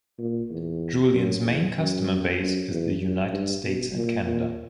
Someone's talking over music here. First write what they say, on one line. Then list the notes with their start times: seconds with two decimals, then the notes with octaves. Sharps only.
Julien's main customer base is in the United States and Canada.
0.19 A#2
0.50 E2
1.13 F#2
1.45 E2
1.76 F#2
2.39 F#2
2.70 E2
3.01 F#2
3.33 G2
3.64 B2
3.95 A#2
4.27 A#2